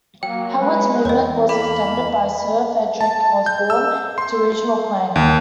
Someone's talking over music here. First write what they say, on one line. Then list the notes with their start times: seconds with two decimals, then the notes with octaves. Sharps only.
Howard's movement was extended by Sir Frederic Osborn to regional planning.
0.23 F#3 A#3 G5
0.61 G#3 B4
1.05 E2 C4 C#5 D#5
1.49 A#3 A4 B5
3.01 A5
3.46 G6
3.70 E6
4.18 C6
5.16 D#2